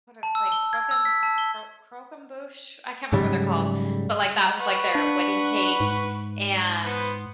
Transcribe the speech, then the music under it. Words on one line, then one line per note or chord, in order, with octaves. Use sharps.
what are like, croquem cro croquembouche, I can't remember what they're called, but, like, that was, like, their wedding cake and
A5
E6
G7
G#6
E6
B6
A5
G7
G#2 C#3 F#3 G3
B4 F#5 C#6
D4
G#2
B3 B4 C5